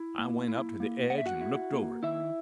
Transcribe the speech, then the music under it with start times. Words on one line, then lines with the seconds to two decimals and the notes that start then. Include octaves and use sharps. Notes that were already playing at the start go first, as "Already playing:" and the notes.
I went up to the edge an' looked over.
Already playing: E4
0.18 A#3
0.48 E4
0.80 A#3
1.10 A#3 F#5
1.18 E5
1.26 F#4 F#5
1.41 E4
1.73 A#3
2.03 D#3 E4 E5